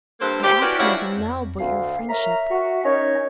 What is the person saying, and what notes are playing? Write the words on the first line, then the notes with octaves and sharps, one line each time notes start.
I ask nothing now but your friendship.
G2 A#3 A4 C5
G4
C#4 E4 F#4 A#4 B4 D5
F3 G3 C#4 D4 E4 F#4
F2
D2 F5
A#4 C#5 E5 A#5
F#4
C#4 D#4 A#4 C#5 D#5